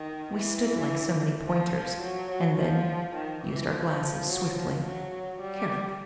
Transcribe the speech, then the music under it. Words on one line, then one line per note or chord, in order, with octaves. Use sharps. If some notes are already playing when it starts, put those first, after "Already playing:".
We stood like so many pointers, and then used our glasses, swiftly, carefully.
Already playing: D#3
E3
F3
F3
F#3
F#3
F3
D#3
E3
F3
F#3
F3
F#3
G3